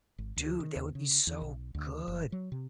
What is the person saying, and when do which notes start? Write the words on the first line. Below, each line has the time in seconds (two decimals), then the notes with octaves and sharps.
Dude, that would be so good.
0.18 G#1
0.36 D2
0.60 D#3
0.76 D#2
0.95 C#3
1.27 E2
1.42 B1
1.75 D2
2.08 F#1
2.32 F#3
2.52 C3